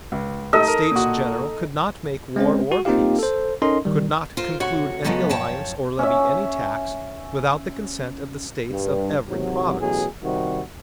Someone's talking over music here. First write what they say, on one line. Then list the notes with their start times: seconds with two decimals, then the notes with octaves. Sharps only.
The States General could not make war or peace, could not conclude any alliance or levy any tax, without the consent of the States of every province.
0.12 C#2
0.53 A3 D#4 G4 A4 D#5 E6
0.68 A#4
0.91 A#2 F#4
2.36 G#3 C4 C#4 C5
2.72 F#4
2.85 A#3 C4 D#4 F4 G4 F5
3.19 A4 C5
3.62 C#4 D#4 A4 A#4 D#5 C6
3.85 D#3 G3
4.37 F4 A#4 C5
4.60 D2 C3 F#4 C#5
5.04 C#3 F3 F#3 G#3 A3 B3
5.29 F#2 F3 C#5 G5 A5
5.99 C#4 E5
8.70 G2
9.29 G#1 C3 F#3
9.80 A1 B2 F#3 G#4
10.23 C3 D#3 G3 F#4